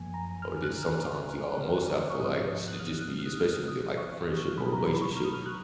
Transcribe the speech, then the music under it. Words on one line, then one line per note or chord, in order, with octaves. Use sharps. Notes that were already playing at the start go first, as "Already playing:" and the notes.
or then sometimes y'all mostly I feel like this should just be- especially when they're, like, a friendship or relationship,
Already playing: F#2 F3 A#3 G#5
A#5
F6
F#6
F6
C#6
G#2 F3 B3 D#6
F#6
F6
F#6
F6
F6
D#6
C#6
B2 F#3 B3 B5
A#5
B5
B5
C#6
F6
D#6
F6
F#6